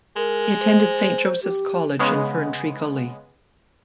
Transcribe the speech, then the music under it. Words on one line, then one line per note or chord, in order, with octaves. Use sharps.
He attended Saint Joseph's College in Ferntree Gully.
G#3 A#4
C5
G4
C#3 G#3 B3